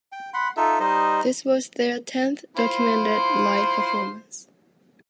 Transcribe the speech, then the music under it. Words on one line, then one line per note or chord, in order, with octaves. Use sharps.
This was their tenth documented live performance.
G5
F#5 B5 C6
D#4 F4 A4 E5
G3 D#4 C5 D#5
E4 F4 C5